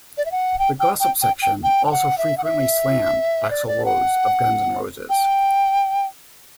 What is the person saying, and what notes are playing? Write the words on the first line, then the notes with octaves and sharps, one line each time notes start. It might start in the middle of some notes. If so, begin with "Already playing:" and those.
The gossip section also frequently slammed Axl Rose of Guns N' Roses.
D5
E5
F#5
G5
G5
G5
G5
G5
G5
G5
F#5
E5
F#5
E5
D5
D5
F#5
G5